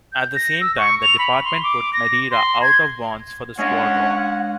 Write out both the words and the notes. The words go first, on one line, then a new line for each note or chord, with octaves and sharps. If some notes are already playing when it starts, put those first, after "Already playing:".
At the same time the department put Madeira out of bounds for the squadron.
G6
A#6
E6
C#6
F7
B5
C6
D6
A#6
C6
G#6
G#3 C#4 D4 D#5 F#5